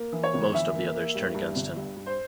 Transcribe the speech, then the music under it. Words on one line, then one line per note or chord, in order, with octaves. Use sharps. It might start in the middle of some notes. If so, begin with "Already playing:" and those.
Most of the others turn against him.
Already playing: A#3
E3
C#5
G1
E3 E5
A#3
A#3
G2
G2
G1
G2
G2
C5